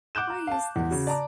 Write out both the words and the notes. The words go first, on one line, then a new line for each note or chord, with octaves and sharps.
Why is this?
F#5 D6 F#6 G6 E7
A#5
F5 A5
E2
C#3 F#4
D5 A5 A#5 D6